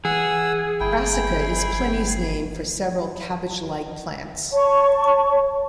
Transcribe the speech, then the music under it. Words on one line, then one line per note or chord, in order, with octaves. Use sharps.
'Brassica' is Pliny's name for several cabbage-like plants.
E3 G#4 F#5 E6
G1 E4 G5
C#5 A5 C#6